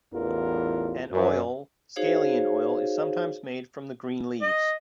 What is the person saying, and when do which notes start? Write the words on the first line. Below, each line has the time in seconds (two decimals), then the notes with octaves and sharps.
An oil, "scallion oil", is sometimes made from the green leaves.
0.13 A1 E2 B3 D#4 F4 A#4
1.11 F#2
1.96 D#4 F#4 G#4 C5 C#5 F5
4.42 D#5